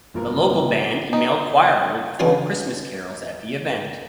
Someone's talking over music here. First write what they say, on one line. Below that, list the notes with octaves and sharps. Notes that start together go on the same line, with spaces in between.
The local band and male choir will perform Christmas carols at the event.
G1 B2 F3 A#3 A#4
D#4
E3 C4 C#4 D#4 F#4 C#5